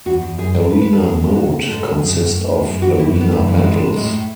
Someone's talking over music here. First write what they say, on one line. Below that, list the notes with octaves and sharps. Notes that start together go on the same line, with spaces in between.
Arena Mode consist of arena battles.
E2 F#4
E2
F#2 G#4
E3
E2 B4
B4
E2
A4
A2 G#4
A2
A2 F#4
A2
G#2 A4
G#2
F#2 G#4
F#2
A2
A2
F#2 G#4
E3 F#4
F#2 E4
E3
B3
F#2 A3
E3
A3
G#2 G#3
G#2
A2 G#3
A2